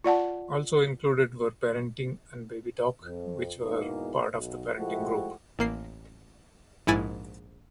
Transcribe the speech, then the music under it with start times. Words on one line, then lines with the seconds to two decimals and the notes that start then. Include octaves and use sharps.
Also included were "Parenting" and "Babytalk", which were part of the Parenting Group.
0.04 F4 D5 F#5 A5
3.03 F2
3.63 E2 G#2 B2 E3 A#3 D#4
4.33 B1
4.75 F3 G#3 A3 E4 F#4 G4
5.59 A1 A#3 C7
6.87 A#1 G#2 E4 G#5 A6 B6